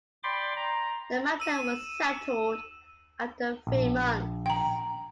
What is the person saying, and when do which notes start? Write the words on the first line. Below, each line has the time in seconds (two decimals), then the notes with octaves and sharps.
The matter was settled after three months.
0.24 D5 G5 B5 C6 D6
0.56 A#5
1.40 E6 D#7 E7
3.67 A#1
4.46 G5 A#5